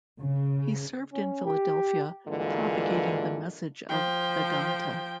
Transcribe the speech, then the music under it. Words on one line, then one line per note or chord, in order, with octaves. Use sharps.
He served in Philadelphia propagating the message of Vedanta.
C#3
C#4
G4
G2 D3 E3 G#3 A#3 F4
F3 G5